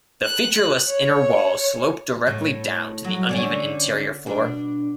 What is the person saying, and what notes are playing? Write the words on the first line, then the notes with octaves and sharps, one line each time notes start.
The featureless inner walls slope directly down to the uneven interior floor.
F#6
C#5
A2
F#3
D3 C#4 D5
B2 D4